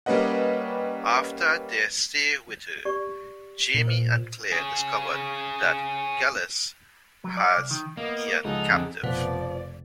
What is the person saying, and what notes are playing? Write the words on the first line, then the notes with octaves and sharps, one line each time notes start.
After their stay with her, Jamie and Claire discover that Geillis has Ian captive.
G3 A#3 C#4 B4 D#5 F#5
G4 D5 C#6
A#2
C5
C#4 G#4
F#3
D5
C2
D#3
A#3 B3 D#5 F5
C#2 F3 D#4 G#4 A4 F#5
F2 D3 C4 D#5 A#5
F1 B2 F3 D5